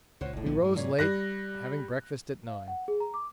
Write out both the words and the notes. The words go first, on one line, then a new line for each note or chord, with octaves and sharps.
We rose late, having breakfast at nine.
C#2 A#2 C5 C#5 F#5
G1 D#2 A2
B1 A#2 F3 B3
G2 F#3 G#3
A#2 C#3 C#5
G3 F#6 A#6
F5
F#5
G#4
A#5
D6